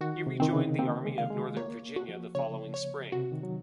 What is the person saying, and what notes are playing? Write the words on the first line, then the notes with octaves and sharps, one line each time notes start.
He rejoined the Army of Northern Virginia the following Spring.
D#3 F#4
C3
D#3 C4
C#3
A#3 C4
G#3
F5
G#3
A#3 C#5
F#4
F3
C#3 C#5
C#5
C3 F#4
D#3
F#3